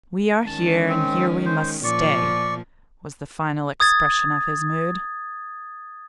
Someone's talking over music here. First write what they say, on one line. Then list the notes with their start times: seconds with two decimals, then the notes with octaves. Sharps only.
'We are here, and here we must stay,' was the final expression of his mood.
0.47 D#3 G#3 C#4 A5
0.89 C4
1.46 C5
1.84 A#2 F3 D5 C#6
3.80 D#6 G#6 A6